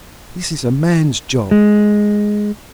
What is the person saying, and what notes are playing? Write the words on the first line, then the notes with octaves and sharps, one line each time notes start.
This is a man's job.
G#3